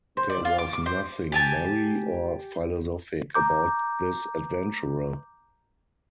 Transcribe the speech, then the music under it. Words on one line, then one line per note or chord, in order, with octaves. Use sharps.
There was nothing merry or philosophic about this adventurer.
C5
D5
F4
D6
D6
C5
G4 G#5 A5
A#5 D6 G6